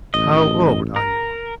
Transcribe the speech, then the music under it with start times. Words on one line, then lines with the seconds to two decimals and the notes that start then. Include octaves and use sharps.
"How old are you?"
0.14 A1 D#5
0.96 A#4